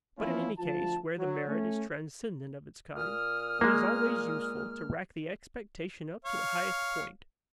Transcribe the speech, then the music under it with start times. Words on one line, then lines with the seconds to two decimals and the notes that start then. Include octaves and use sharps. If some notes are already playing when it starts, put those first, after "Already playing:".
But in any case where the merit is transcendent of its kind, it is always useful to rack the expectation up to the highest point.
0.19 E3 F3 A#3 C#4 E4 F4
0.59 D2 F3 F4 A5
1.18 F#3
1.48 A3 C#4
2.97 A#2 D#6 F6
3.61 G#3 A#3
6.25 C#5 F5